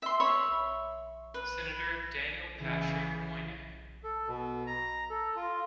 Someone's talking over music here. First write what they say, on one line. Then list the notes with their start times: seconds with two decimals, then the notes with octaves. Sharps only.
Senator Daniel Patrick Moynihan.
0.02 E5 C6
0.20 C#5 E5 B5
1.34 B4
2.59 C#3 E3
4.03 A4
4.28 B2
4.67 A#5
5.10 A4
5.36 F4